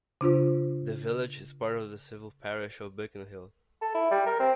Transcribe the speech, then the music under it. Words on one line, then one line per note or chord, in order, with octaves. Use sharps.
The village is part of the civil parish of Bickenhill.
C#3 D4 F4 C5
A4
E4
G3
A#4
C4